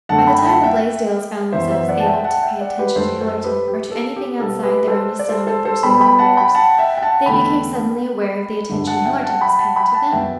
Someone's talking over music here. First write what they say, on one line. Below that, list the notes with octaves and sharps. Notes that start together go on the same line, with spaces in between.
By the time the Blaisdells found themselves able to pay attention to Hillerton, or to anything outside their own astounding personal affairs, they became suddenly aware of the attention Hillerton was paying to THEM.
F#2 D3 A3 F#5 A5
G5 B5
G5
F#5 A5
E5 G5
F#2 E3 B3 C5 E5
C5 E5
D5 F#5
A5
E5 G5
F#5 A5
E5 G5
D5 F#5
G4 B4
F#2 F#3 A3 A4 C5
A4 C5
G4 B4
G4
A4
G4
B2 G3 B3 A4
G4 B4
A4 C5
D5
A4 C5
A4 C5
A4 C5
B2 G3 B3 G5 B5
G5 B5
F#5 A5
G5 B5
F#5 A5
E5 G5
G5
F#5 A5
E2 D3 A3 G5 B5
G2 D3 F#3
F#5 A5
E5 G5
F#5 A5
G5 B5
F#5 A5
G5 B5
F#5 A5
F#2 F#3 B3 E5 G5